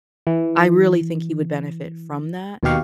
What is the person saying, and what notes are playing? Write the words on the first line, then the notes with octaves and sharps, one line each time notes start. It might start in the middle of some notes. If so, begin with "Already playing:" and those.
I really think he would benefit from that.
E3
D#2 B2 D#4 G4 F5 C#6